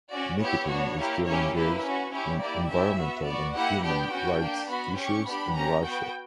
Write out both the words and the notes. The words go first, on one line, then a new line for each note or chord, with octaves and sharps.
Nikitin is still engaged in environmental and human rights issues in Russia.
C#4 F#4 D5
B3 E4 G4 C#5
B3 D4 F#4
A#3 E4 G4
A#3 C#4 E4 G4 C#5
A#3 E4 G4 B4
C#4 F#4 B4
C#4 E4 G4 C#5
A#3 E4 G4 D5
C#4 E4 G4 E5
B3 F#4
B3 F#4 D5
A#3 E4 G4 F#5
B3 D4 G4 G5
C#4 F#4
A#3 D4 G4
B3 F#4 B5
C#4 G4 C#6
B3 D4 G4 B5
C#4 G4 A#5
B3 F#4 G5